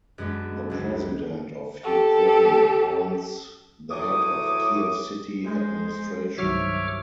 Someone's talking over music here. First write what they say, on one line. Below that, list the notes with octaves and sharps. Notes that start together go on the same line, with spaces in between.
The President of Ukraine appoints the Head of Kiev City Administration.
F#2 G#3 B3 D4
C#2 F#3
G4 A4
A2 E3 F#3 D6 D#6
G#3 C5
C2 G2 D#3 F#3 C#5 E5 D6 F6